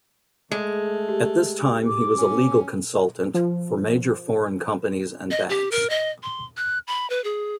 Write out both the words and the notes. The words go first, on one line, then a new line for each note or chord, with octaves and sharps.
At this time he was a legal consultant for major foreign companies and banks.
G#3 A3
G4
D6
C#4
F3
D#5
G4
A#4
D#5
C6
F#6
B5
B4
G#4